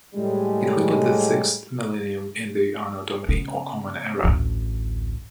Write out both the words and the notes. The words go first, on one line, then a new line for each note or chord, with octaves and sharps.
It will be the sixth millennium in the Anno Domini or Common Era.
A2 G3 G#3
C#3 B3
A1 D2